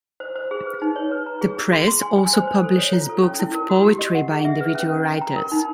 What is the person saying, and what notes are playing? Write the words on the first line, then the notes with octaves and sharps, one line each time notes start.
The press also publishes books of poetry by individual writers.
C5
C5
G#4
B4
D#4
C#5
B4
A#5
G#4
G#4
C6
C6
G#5
G#5
C5
C5
A4
C#5
F4
A4
C#4
E4
A#4
F#4
G4
D#5
F#5
G#4
E5
B4
C#4
C#4
G5
A#5
A#4
D#4